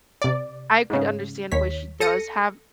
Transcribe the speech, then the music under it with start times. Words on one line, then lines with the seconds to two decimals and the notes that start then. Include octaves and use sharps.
I could understand why she does have
0.22 C3 D5
0.90 G#2 C#3
1.52 D#2 C#5 B6
2.00 A4 A#6 C#7 D#7